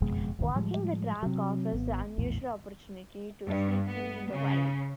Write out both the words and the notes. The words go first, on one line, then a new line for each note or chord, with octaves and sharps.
Walking the track offers the unusual opportunity to see kiwi in the wild.
F#1 F2 B2 G#3
D1 G1 C#2 D#3
A2 F3 G3 G#3
C3 F#3
G#1 B3
A#1 E2 A2
G2
B3
C#3